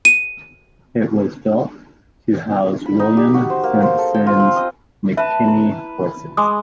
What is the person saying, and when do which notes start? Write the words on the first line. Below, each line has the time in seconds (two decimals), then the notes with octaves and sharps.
It was built to house William Simpson's "McKinney" horses.
0.05 D#7
2.86 B5
2.99 D#4
3.17 G4
3.34 F#4
3.50 C5
3.63 A#3
3.83 C5
3.98 A4
4.14 G5
4.27 F4
4.40 C4
4.56 D#5
5.17 B4 E5 A5
5.48 E4
6.37 G#3 C6 D6 D#6